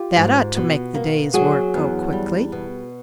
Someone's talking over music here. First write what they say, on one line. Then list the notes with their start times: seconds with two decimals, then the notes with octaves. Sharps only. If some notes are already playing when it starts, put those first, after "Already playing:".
That ought to make the day's work go quickly.
Already playing: F4 G4
0.16 G#2
0.56 B2
0.94 A#3
1.34 F#3 F#4 G#4
1.74 E2
2.12 G3
2.52 B2